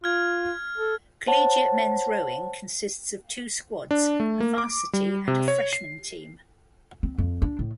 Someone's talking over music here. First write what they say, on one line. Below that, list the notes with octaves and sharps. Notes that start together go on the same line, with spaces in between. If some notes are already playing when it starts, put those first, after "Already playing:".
Collegiate men's rowing consists of two squads, a varsity and a freshman team.
F4 F6 G#6
A4
C5 C#5 F#5 A5
D4
A3
A#3
D6
G3
C3
C#5
C7
C4
F2
D4
A2